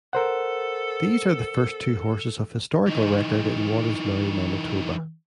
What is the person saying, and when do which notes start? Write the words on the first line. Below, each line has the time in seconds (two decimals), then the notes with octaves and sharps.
These are the first two horses of historical record in what is now Manitoba.
0.13 A4 A#4 C5 F#5
2.87 E3 D#4